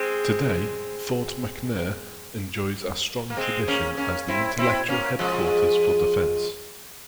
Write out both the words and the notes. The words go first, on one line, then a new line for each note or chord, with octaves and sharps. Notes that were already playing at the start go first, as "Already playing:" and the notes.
Today, Fort McNair enjoys a strong tradition as the intellectual headquarters for defense.
Already playing: G#3 C4
A#3
G#3 C4
A#3 C#4
A#3 C#4
C4 E4
C4 E4
A#3 C#4
F3 G#3